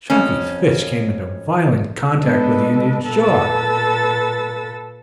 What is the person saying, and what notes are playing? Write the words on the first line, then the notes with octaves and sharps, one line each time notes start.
Chunky's fist came into violent contact with the Indian's jaw.
F2 C#4
G#3 B3 D4 A4 B4 D#5
A#2 A4 B4 E6 A6